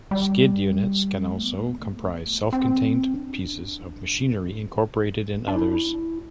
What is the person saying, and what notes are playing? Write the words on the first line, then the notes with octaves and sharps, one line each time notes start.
Skid units can also comprise self-contained pieces of machinery incorporated in others.
G3
A3
B3
A3
B3
A3
B3
A3
B3
A3
C4
D4
D4
E4